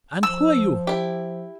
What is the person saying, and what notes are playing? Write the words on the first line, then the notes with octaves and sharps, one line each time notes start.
"And who are you?"
F3 E6
E4 G4